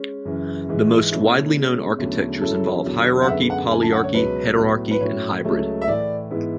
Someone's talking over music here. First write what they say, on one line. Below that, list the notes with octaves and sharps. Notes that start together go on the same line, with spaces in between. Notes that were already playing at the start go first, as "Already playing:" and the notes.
The most widely known architectures involve hierarchy, polyarchy, hetaerarchy and hybrid.
Already playing: G#3 C#4
F#2 C#3 E3
G#2 E3 G#3
B2 A3 C#4 E4
B2 G#3 C#4
E2 D3 F#3 A3 C#4
C#3 F#3 C#4 E4 A4
E2 D3 F#3
F#5
F#2 D3 G#3 B3 E5
F#5
F#2 D3 A3 G#5
A5
F#5
C#5
C#2 B2 F#3 C#4 B4
A2 F#3 B3
B4
A2 F#3 C#4 E4 C#5
C#2 C#3 F#3 A3 C#4
E5
A2 E3 A3 E4 D5
G#2 E3 B3 E4